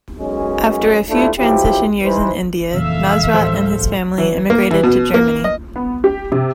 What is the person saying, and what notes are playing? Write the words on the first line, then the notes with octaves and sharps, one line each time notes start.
After a few transition years in India, Nasrat and his family immigrated to Germany.
B1 F#2 G#3 C#4
C3 A3 D4 E4 F4
B1 F3 E4 G4
E3 D#4 B4 C5
F2 A#2 C#3 E3 A4 E5 F5
D1 F3 G3 A3 C5
E3
A#3
E3
B2
A#3
D#5
B3
G4
C3